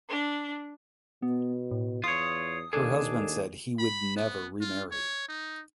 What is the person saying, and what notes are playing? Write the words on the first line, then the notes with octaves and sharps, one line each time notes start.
Her husband said he would never remarry.
D4
B2 B3
A2
E2 F4 C#5 D#6
D#2 D4 G#4 A4
B5
B3
F4
C#5
D#4